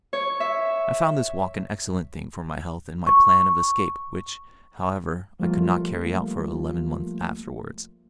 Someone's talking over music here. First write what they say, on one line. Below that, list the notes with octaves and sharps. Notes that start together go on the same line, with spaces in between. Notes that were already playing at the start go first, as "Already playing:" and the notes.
I found this walk an excellent thing for my health and my plan of escape, which, however, I could not carry out for eleven months afterwards.
C#5
E5
C#6
F3 G3 A3 A#3 F4